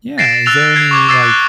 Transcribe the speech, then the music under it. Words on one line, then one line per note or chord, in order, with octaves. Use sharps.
Yeah, is there any, like,
A6 A#6 C7 D7 E7
E6 F#6 A6 F7
G#6 C7
C#6 D6 G#6
D6 E6 G#6 A6 C7
F#6